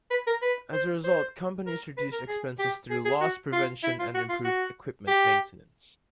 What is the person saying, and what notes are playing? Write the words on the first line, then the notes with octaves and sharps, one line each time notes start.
As a result, companies reduce expenses through loss prevention and improved equipment maintenance.
B4
A#4
B4
C5
C5
A#4
B4
A#4
G#4
G4
G#4
G#4
F#4
F4
E4
F4
F#4
F4
F#4
G4